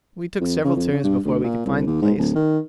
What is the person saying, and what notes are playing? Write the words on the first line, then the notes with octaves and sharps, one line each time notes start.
We took several turns before we could find the place.
F2
C#3
F2
C#3
G2
D2
A#2
C2
D#2
G#2
D1
D#3